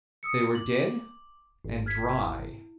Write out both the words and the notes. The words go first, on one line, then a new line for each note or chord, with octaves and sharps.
They were dead and dry.
D#6 E6 C#7
D6 F#7
G#1
F6 G#6 B6
E4